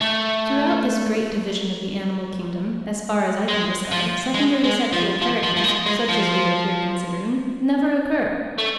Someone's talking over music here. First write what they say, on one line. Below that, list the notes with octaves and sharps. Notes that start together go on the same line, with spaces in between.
Throughout this great division of the animal kingdom, as far as I can discover, secondary sexual characters, such as we are here considering, never occur.
A3
G#3
F3
G#3
G#3
F3
F3
F3
F3
G#3
G#3
F3
A3